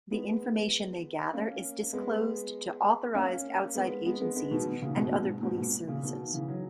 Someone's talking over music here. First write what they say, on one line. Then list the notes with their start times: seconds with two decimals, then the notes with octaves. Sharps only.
The information they gather is disclosed to authorised outside agencies and other police services.
0.11 G#3 B3
1.33 A#3 C#4
1.93 G#3 B3
3.15 A#3 C#4
3.75 G#3 B3
4.06 G#3 B3
4.21 G#3 B3
4.36 G#3 B3
4.51 B2 D#3
4.67 B2 D#3
4.82 A#2 C#3
4.97 G#2 B2
5.12 G#2
5.42 G#2 B2
5.58 A#2
5.87 A#2 C#3
6.03 B2 D#3
6.33 C#3 E3
6.48 D#3 F#3